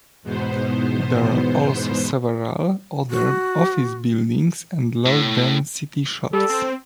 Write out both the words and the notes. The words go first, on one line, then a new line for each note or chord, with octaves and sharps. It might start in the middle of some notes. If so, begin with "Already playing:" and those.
There are also several other office buildings and low-density shops.
E2 G#2 B2 B3 C5
F#4
A2
G3 A4
C4